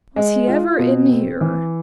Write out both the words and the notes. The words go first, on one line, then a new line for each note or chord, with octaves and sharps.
"Was he ever in here?"
G#3
F4
B2
C4
E3